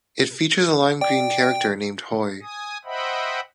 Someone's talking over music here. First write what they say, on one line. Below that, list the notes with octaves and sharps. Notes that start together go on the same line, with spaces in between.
It features a lime green character named Hoi.
D5 G5
G#5 D#6
C5 D#5 E5 F#5 G5 B5